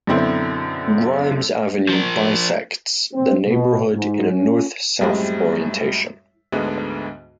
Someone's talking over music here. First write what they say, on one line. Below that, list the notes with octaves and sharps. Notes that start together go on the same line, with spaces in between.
Grimes Avenue bisects the neighborhood in a North-South orientation.
F#2 B2 D3 C4 E4
F3 A#4
C4
B2
G#2
C#4
F#2 A2 G3 G#3 C4
D2 G#2 D3 G#3 B3